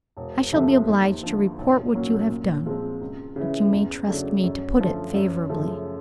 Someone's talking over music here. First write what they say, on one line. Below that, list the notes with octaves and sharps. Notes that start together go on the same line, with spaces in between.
I shall be obliged to report what you have done--but you may trust me to put it favorably.
E1
D2 C3 F3 A3
D#2
D3 F3
B1
A#2 F#3 A#3 C#4
A#2
F3 G#3 C4
C#2
C#3 E3
E2
C#3 F#3 A3 D4
F#2
D3 F3 A3
F#2
C#3 F3 A3